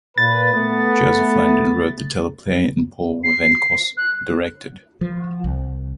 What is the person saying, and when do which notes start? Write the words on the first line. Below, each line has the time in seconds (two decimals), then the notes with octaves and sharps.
Joseph Landon wrote the teleplay and Paul Wendkos directed.
0.18 A#2 B4 A6
0.53 A3 B3
3.24 C7
3.97 F#6
5.01 F3
5.44 C2